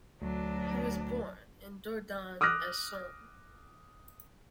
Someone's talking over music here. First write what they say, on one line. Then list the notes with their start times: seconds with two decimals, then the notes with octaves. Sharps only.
He was born in Dourdan, Essonne.
0.22 D2 F#3 D4
2.41 D6 D#6 F6 F#6 A#6